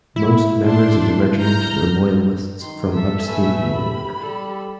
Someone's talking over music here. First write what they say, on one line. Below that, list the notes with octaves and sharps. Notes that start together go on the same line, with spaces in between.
Most members of the regiment were Loyalists from upstate New York.
E4
D4 C6
A#5 F6 G6
D#3 C6
A4 E5 B6
A3 B4 G#5
G4 B5
G3 A4